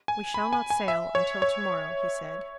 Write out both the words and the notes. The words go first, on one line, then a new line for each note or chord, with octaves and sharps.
"We shall not sail until to-morrow," he said.
G#5
B5
G#5
G#5
E5
C#5
C#5